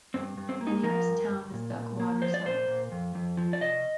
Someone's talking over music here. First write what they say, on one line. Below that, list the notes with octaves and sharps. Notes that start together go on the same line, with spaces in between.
The nearest town is Duckwater, south.
G2 C4
G2
C4
A#3
D#4
F3 A#4
G2
G2
A#2
A#2
A#3
F3 C5
D5
A#2 C5
A#2
F2
F2
F3
D5
C3 D#5